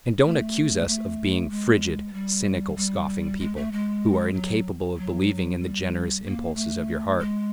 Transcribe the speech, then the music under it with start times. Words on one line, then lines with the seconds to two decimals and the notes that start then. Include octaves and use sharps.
And don't accuse us of being 'frigid, cynical, scoffing people,' who are incapable of believing in the generous impulses of your heart....
0.24 A3
0.87 A3
1.50 G#3
2.13 G3
2.76 G3
3.40 G#3
3.56 A3
3.72 G#3
4.34 F#3
4.97 F#3
5.60 G3
6.24 A#3
6.55 A3
7.19 G#3